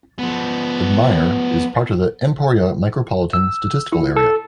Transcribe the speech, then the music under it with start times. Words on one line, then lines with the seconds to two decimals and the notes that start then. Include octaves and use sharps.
Admire is part of the Emporia Micropolitan Statistical Area.
0.19 F3 B3
3.33 E6
3.93 E4
4.16 A4